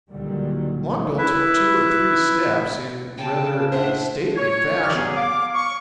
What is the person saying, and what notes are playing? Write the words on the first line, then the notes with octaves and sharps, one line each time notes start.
Longbill took two or three steps in rather a stately fashion.
C#2 A#2 D3 D#3 F#3 G3
E4 B4 E5
C#3 G5 A5
D4 C5 E5 F#5
C#5
G2 G4 D5 F6
F#3 B3 G#4
F5 D6
C#6